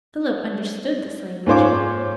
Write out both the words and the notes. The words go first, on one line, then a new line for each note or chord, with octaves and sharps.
Philip understood this language.
G#2 C#4 F4 C5 C#5 D6